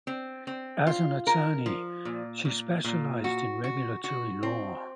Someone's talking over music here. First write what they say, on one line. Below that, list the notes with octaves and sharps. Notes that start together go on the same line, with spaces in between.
As an attorney, she specialized in regulatory law.
C4
C4
F4
A#4
F3
A#2
A#2
A#2
F#4
F#4
F#4
C4